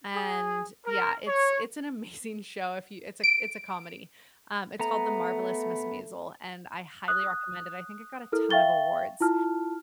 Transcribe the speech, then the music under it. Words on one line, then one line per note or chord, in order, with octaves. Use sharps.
And, yeah, it's it's an amazing show if you it's a it's a comedy. Um, it's called "The Marvelous Miss Maisel," and I highly recommend it, I think it got a ton of awards.
G#4
A#4
C#5
D7
A3 B3 A#5
D#6 F#6
E4 A4 A#4 F6
E5 F5 G5 C#6 A6 G7
E4 F4 A5 F6